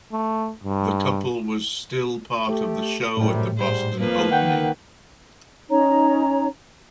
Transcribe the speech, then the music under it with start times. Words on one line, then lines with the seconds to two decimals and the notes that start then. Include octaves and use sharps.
The couple was still part of the show at the Boston opening.
0.12 A3
0.64 G2
2.48 A3 G4
3.17 F#2 A2 C3 G3
3.58 G#2 G3 C5
3.99 F2 F3 A#3 B4
4.31 D#3 F#5 G5
5.70 C#4 D#4 C#5 A#5